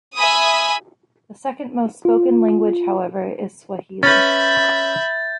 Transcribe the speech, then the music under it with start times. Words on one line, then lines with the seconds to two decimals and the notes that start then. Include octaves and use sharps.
The second most-spoken language however is Swahili.
0.17 E5 G#5 B5 D#6
2.05 F4
4.03 C#4 B4 E5 B5 G6 A6